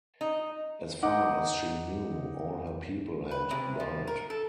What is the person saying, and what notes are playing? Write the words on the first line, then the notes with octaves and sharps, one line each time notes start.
As far as she knew, all her people had died.
D#4
D#4 F#5 D6
B4
C3
F3
A#4
A4